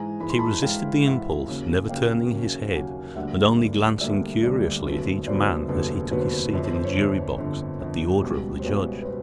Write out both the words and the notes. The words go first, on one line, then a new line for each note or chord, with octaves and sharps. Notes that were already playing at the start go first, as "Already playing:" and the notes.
But he resisted the impulse, never turning his head, and only glancing curiously at each man as he took his seat in the jury box at the order of the judge.
Already playing: G#2 E3 G#3 G#5 A#5
G#2 E3 G#3 B5
C6
A5 B5
G#2 E3 G#3 F5 G5
G#2 E3 G#3 E5 F#5
D#2 C#3 F#3 A#3 C#4
D#2 C#3 F#3 A#3 C#4 F5 G5
D#2 C#3 F#3 A#3 C#4
D#2 C#3 F#3 A#3 C#4 F#5 G#5
D2 D3 G3 A#3 D4 E5 F#5
D2 D3 G3 A#3 D4
D2 D3 G3 A#3 D4 D5 E5
D2 D3 G3 A#3 D4
F1 D#2 D3 F#3 B3
F1 D#2 D3 F#3 B3 C5 D5
F1 D#2 D3 F#3 B3
F1 D#2 D3 F#3 B3 B4
C5
B4
G1 F2 D3 C5
C5
C5
B4 C#5
G1 F2 D3
G1 F2 D3
G1 F2 D3
C#2 B2 G3 B3
C5
C#2 B2 G3 B3 B4 C#5
B4
B2 C5